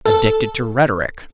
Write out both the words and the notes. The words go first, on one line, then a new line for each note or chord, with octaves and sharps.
Addicted to rhetoric.
A4